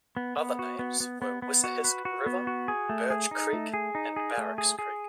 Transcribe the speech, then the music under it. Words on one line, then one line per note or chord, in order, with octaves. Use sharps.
Other names were Wissahisk River, Birch Creek, and Barracks Creek.
B3
B3
F#4
B3
B3
B3
B3
F#4
B4
F#4
B3
F#4
G#4
A3
G#4
D#4
A3
G#4
D#4
G#4
A3
G#4
G#4